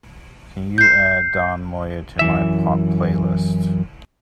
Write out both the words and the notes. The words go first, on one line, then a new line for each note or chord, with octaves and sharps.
Can you add don moye to my Pop playlist?
G6 C7
F#2 E3 E5